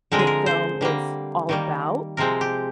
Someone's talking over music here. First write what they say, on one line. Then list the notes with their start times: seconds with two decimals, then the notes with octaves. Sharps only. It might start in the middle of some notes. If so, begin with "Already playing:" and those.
the film is all about.
0.12 D3 F3 G#3 C4 A#4
0.19 G#4
0.27 A#4
0.46 C5
0.81 D3 G3 A#3
1.49 D#3 G3 A#3
2.17 C3 F3 G#3 C4 A#4
2.41 G4